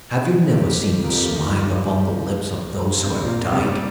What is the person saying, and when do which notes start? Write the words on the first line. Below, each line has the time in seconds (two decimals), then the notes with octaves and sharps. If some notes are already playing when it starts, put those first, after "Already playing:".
Have you never seen the smile upon the lips of those who have died?
0.55 F2 G4
1.04 A#4
1.09 G4
1.29 F4
1.36 D#4
2.98 G2 C4
3.25 A#2 A#3
3.52 C3 G3